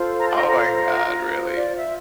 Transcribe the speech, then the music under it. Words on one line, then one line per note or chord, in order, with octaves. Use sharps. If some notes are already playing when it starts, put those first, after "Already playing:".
Oh my god, really?
Already playing: F4 A4 C5
A#5
A5
A#5
A#5
F4 C5
D5
E5